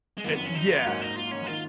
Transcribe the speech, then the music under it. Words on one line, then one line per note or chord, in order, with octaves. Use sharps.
It yeah, pr
G#3
F#1 F2 D#3 A#3
B3
C#4
D#4
F4
G#2 F#3 A#3 C#4
D#4
F4
C#4
D#3 A#3 F4